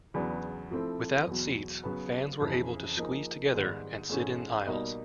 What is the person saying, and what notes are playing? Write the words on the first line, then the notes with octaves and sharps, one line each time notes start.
Without seats, fans were able to squeeze together and sit in aisles.
E2 C#3 F#3 B3 D4
F3 A3 C4 E4 A4
E2 B2 F#3
C#3 F#3 B3
F2 C#3 E3
F3 A#3 D#4 G#4
G#2 D#3 G3 B3
G#2 E3 A3 C#4
B2 G3 A#3 D#4